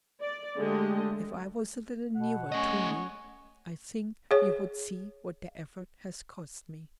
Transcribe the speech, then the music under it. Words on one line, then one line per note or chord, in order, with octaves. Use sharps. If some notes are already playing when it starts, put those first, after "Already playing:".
If I was a little nearer to you, I think you would see what the effort has cost me.
D5
D3 G#3 A3 G4 D#5
B2 F#5
A3 C#4 C#5 D#5
G#4 C#5